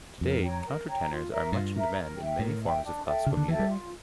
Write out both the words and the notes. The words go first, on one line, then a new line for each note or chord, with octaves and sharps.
Today, countertenors are much in demand in many forms of classical music.
F2 A#4
C#5 G5 A#5
A#4
C#5 G5 A#5
F4
A#4 E5 A#5
G2 F4
A#4 E5 A#5
A#4
E5 G5
A2 A#4
E5 G5
D4
A4 E5 G5
C#3 D4
D3
E3 A4 E5 G5
G3
F4